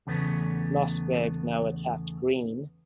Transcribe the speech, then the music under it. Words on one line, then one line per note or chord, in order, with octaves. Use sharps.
Lossberg now attacked Greene.
E2 C#3 A3 B3